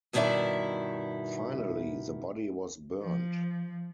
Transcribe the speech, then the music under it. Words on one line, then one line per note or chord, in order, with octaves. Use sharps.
Finally, the body was burned.
G2 B2 D#3 E4 D5 E5
F3